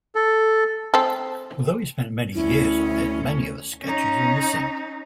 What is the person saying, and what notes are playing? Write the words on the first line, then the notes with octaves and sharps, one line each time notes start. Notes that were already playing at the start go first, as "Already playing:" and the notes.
Although he spent many years on it, many of the sketches are missing.
A4
C4 A4
D2 C#4 E4
C#4 D#4